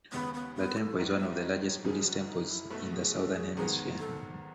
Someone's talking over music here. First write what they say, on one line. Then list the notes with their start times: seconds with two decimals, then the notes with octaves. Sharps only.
The temple is one of the largest Buddhist temples in the southern hemisphere.
0.12 D#2 C#3 G#3 B3
0.34 B3
0.56 B3
0.77 A4
0.99 B1 A2 E3 B3 D#4
1.20 E5
1.42 D#5
1.63 C#5
1.80 F#4
1.85 F#1 F#2 E3 G#4
2.06 F#4
2.28 D#4
2.50 E4
2.70 B1 B2 A3 A4
2.92 G#4
3.14 A4
3.35 G#4
3.56 G#1 G#2 D#3 G#3 B3 G#4
3.99 A4